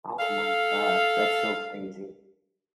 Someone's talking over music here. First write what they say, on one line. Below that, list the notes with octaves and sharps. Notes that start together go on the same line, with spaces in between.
Oh my god. That's so crazy.
A4 F5